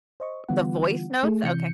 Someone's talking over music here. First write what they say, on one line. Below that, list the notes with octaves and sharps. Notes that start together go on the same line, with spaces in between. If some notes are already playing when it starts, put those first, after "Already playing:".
the voice notes? Okay.
C5 D#5 C#6
D3 E3 G3 B3 F4 F#5
A3 G#4
C3 E3 G6 C#7